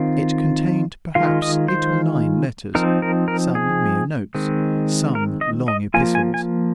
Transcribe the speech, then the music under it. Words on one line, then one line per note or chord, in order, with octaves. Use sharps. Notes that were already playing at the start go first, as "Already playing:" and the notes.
It contained, perhaps, eight or nine letters,--some mere notes, some long epistles.
Already playing: D#3 C4 F4
D#3 G#3 F4 F5
D#5
C5
F3 C4 D#4 A#4
A#4
A#4
G#4
D#3 G#3 C4
A#4
D#5
D#5
F3 A#3 F4 G#5
G#5
G#5